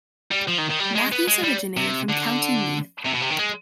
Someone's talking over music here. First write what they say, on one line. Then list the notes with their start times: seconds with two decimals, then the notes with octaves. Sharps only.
Matthews originated from County Meath.
0.31 G3
0.48 F3
0.58 D#3
0.70 D#3
0.79 G3
0.95 G#3
1.12 B3
1.28 G#3
1.44 G3
1.77 C3
2.09 D3
3.06 C3
3.14 B2
3.22 C3
3.31 D#3
3.39 G#3